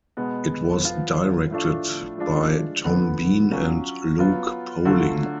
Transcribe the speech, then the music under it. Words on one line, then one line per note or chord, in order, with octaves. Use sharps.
It was directed by Tom Bean and Luke Poling.
B2 G#3 B3
F3 B3 F4
A2 F3 A3 D4 F4
F3 G#3 D4 F4
D3 F3 B3
F#3 C#4 F4
F#3 B3 F4
D3 F#3 A3 F4